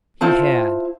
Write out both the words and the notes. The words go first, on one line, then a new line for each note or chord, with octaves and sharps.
He had.
E4 F4 C5 A5